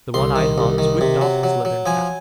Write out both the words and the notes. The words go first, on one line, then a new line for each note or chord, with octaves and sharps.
The one-eyed Hans whipped off his leathern cap.
C2 C6
D#3
C2
D#3
C3
F#3
F#3
F#3
F3 G#5